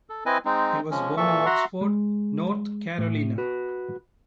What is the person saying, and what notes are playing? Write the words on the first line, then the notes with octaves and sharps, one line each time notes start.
He was born in Oxford, North Carolina.
A4
C4 E4 B4 D#5 G#5
G#3 C4 D#4
F3 G#3 C#4
A#2 E3 A4 E5 C#6
F#4 E5 F#5 A#5 C6
G#3
A2
F#4 B4